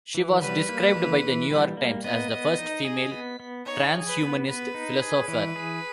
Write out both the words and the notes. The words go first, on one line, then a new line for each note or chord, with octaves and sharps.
She was described by the "New York Times" as "the first female transhumanist philosopher".
E3
G3 B4
A#3
E3
E3
G3
A#3
B3 D#5
B3
D#4
G#4
B3
B3
D#4 C#5
G#4
B4
B3
B3 B4
D#4
G#4
E3
G#4